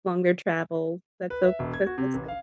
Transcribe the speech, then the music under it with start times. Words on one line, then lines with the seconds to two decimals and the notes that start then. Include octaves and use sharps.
along their travel. That's so that's so sweet.
1.30 B4
1.45 E5
1.59 E1
1.74 G#6
1.86 F#4
1.98 C3
2.14 A1
2.28 F5